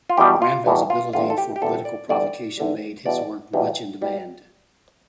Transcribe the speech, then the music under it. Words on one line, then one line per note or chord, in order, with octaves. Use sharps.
Grandville's ability for political provocation made his work much in demand.
F4
E2 B2 G3 G4
F4
E2 B2 G3
F4
E2 D3 G3 F4
A4
G4
G4
E2 D3 G3 A4
D5
E2 D3 G3 D5
E2 D3 G3
E2 B2 G3 D5
E2 B2 G3
B2 G3